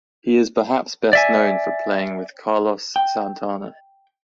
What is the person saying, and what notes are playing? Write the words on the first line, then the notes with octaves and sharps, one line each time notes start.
He is perhaps best known for playing with Carlos Santana.
D5 E5 G#5
G5